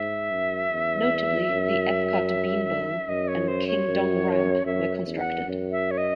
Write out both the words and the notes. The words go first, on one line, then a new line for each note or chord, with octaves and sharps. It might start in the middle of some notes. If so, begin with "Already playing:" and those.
Notably the Epcot Bean bowl and King Dong Ramp were constructed.
Already playing: G#2 E5
F#2
E2
F#2
F#2 D#5
C#5
C5
C#5
F#2
F#2 E5
E2
F#5
F#2
E5
C#5
D#5